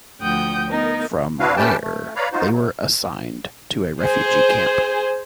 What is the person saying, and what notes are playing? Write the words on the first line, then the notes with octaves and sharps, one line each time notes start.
From there, they were assigned to a refugee camp.
D2 F3 F#5 G5 D#6 G6
B3 D#4 A#4
C4 D4 E4 F#4 B4 F5
A3 C#4 G4 B4 G5 A5
A3
B4 C#5 D5 F5 A#5 B5
D#4 F4 F#4 C5
C3 F#3
G#4 C5